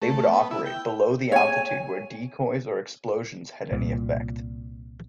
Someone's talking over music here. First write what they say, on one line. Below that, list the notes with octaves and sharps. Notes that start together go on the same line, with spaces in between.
They would operate below the altitude where decoys or explosions had any effect.
A3
B3
E4
G5
C#5 G#5
C2 A#2